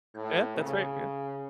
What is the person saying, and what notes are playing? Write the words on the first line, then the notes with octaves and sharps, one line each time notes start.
Yeah, that's right, yeah.
A2
C#3